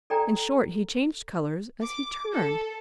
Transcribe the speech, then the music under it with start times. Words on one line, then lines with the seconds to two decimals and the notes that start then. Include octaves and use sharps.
In short he changed color as he turned.
0.10 A4 D5 G5 A#5
1.81 D6
2.33 A4